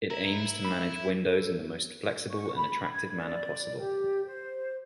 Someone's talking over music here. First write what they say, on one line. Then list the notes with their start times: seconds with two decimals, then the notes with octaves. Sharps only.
It aims to manage windows in the most flexible and attractive manner possible.
0.10 E4 A#5
0.65 E5 B5
1.30 A4
2.29 C#6
2.55 B5
2.93 G#6
3.14 D5
3.78 G4
4.26 C5